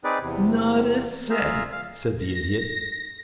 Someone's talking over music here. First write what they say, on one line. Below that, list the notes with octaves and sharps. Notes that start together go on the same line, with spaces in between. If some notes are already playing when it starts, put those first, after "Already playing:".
"Not a cent," said the Idiot.
C4 D#4 G#4 B4 D5
E2 C3
F4 G#4 E5 F5 A#5
F5
A#6